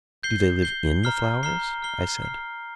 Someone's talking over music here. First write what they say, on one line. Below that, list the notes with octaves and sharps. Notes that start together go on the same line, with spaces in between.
"Do they live IN the flowers?" I said.
G6 C7 G7
G6 C7 G7
A#5 F6 C7 G7
A#5 F6 C7 G7
F6 C7 G7
F6 C7 G7